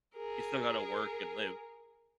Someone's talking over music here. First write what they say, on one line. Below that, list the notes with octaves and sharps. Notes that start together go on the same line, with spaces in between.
you still gotta work and live.
G#4 A#4